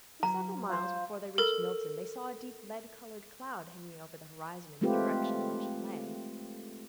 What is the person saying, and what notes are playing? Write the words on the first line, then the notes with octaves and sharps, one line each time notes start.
For several miles before they reached Milton, they saw a deep lead-coloured cloud hanging over the horizon in the direction in which it lay.
F#3 F#4 A#5
F4 C5
A4 A#4
G#3 A3 C4 F4 G4 B4